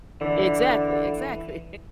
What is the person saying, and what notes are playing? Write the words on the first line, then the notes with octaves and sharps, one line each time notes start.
Exactly, exactly.
D3 E3